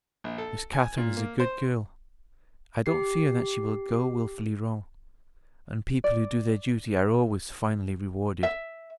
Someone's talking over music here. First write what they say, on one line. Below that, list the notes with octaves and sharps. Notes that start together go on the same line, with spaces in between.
Miss Catherine is a good girl: I don't fear that she will go wilfully wrong; and people who do their duty are always finally rewarded.'
A#1
A4
G#5
A#2
A#3
C5
G4 C7
D5
E5